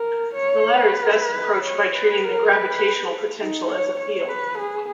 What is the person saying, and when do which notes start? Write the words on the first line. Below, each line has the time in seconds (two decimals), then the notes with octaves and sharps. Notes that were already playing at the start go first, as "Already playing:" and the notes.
The latter is best approached by treating the gravitational potential as a field.
Already playing: A#4
0.34 C#5
0.78 B4
1.65 C#5
1.95 B4
2.24 A#4
2.53 B4
3.41 D#4
3.70 C#5
3.99 C#5
4.29 B4
4.58 G#4